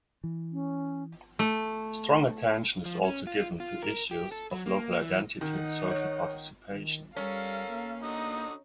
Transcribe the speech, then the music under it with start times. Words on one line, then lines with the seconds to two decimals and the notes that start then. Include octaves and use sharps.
Strong attention is also given to issues of local identity and social participation.
0.24 E3
0.53 C#4
1.39 A3
2.85 F3
3.04 C#4
3.27 F4
3.60 F4
3.83 A#4
4.11 G4
4.32 A4
4.51 F#3
4.66 A#3
5.02 E3
5.41 D#3 D#4 F#5
5.91 C#5
6.71 D#3
7.16 G3 C#4 A4 A#4 F5
7.68 A#3
8.03 D3 D#4 F#4 D#6